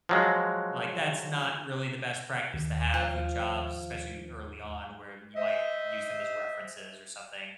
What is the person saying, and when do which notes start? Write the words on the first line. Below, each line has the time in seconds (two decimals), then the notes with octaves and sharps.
like, that's not really the best practice to have with jobs, especially early on where you might use them as references or something.
0.09 F3 F#3 G#3
2.54 D#2
2.94 F3
5.36 C5 D#5 E5